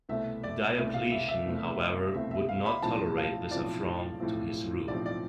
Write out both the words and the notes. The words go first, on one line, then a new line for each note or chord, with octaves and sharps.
Diocletian, however, would not tolerate this affront to his rule.
C2 B2 A3 C4 E5
D5
C2 B2 A3 C4 E5
F5
E5
E5
C2 B2 A3 C4
C2 B2 A3 C4 E5
E5
F5
B5
B1 A2 F3 C4 A5
F5
B1 A2 F3 C4 D5
B1 A2 F3 C4
B1 A2 F3 C4 D5
D5